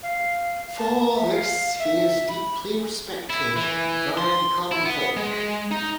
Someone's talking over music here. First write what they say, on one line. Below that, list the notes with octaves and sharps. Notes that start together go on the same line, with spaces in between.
For this he is deeply respected by the common folk.
F5
A5
E5
F5
E5
B5
E4
E3
C6
E4
B3
G#3
D#4